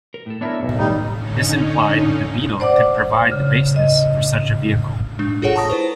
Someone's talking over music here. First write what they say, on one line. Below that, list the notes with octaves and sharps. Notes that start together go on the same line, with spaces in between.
This implied that the Beetle could provide the basis for such a vehicle.
A#4
A2 A4
B3 D4 E4 A#4 C#5 E5
B1
A2 D#3 G3 D#4
D3 C#4 D#4
C5 D5 F#5 D6
C#3
D#5
G#3 D4
F4 G#4 A4 C#5 F#5
A5 A#5 C#6 D#6 A#6
E4 B4 C5